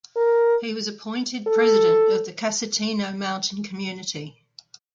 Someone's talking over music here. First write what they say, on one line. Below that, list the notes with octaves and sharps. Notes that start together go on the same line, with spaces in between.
He was appointed president of the Casentino mountain community.
A#4
A4